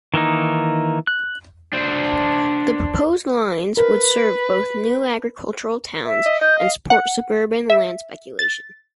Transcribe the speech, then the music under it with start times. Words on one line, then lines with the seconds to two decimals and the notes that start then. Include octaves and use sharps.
The proposed lines would serve both new agricultural towns and support suburban land speculation.
0.14 D#3 E3 A#3 D#4
1.07 F#6
1.73 D4 C5
3.77 A#4 B4
6.06 E5
6.26 D#5
6.41 D#5 G6
6.58 F5
6.90 F#5
7.70 E5
8.39 A6